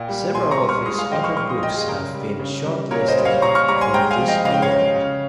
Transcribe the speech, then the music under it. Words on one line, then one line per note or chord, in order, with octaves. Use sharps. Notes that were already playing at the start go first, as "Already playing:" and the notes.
Several of his other books have been shortlisted for this award.
Already playing: A#2 G5
G3
A#2 G#5 C6
A#5 C#6
G3
C#6 F6
G#3 C6 D#6
F5 G#5
F3 D#5 G5
C#6 F6
A#2 C#6 F6
C6 D#6
A#2 D#5 G5
G#4
C#3 A#4
G3
C#3
G3
A#2 A#4 C#5
C5 D#5
G3
C#5 F5
A#2 A#5 C#6
C#6 F6
G3 A#5 C#6
G#5 C6
G#3 G5 A#5
F5 G#5
F3
D#5 G5
C#3 F5
G5
C#5 F5
C#3
C#3